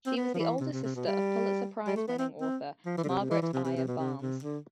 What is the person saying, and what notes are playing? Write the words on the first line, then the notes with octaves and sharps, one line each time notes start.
She was the older sister of Pulitzer Prize-winning author Margaret Ayer Barnes.
C4
B3
F3
E3
C3
C3
C3
B2
G3
G3
A3
B3
C4
C4
F3
E3
D3
C3
C3
E3
E3
C3
C3
C3
B2
C3
C3
D3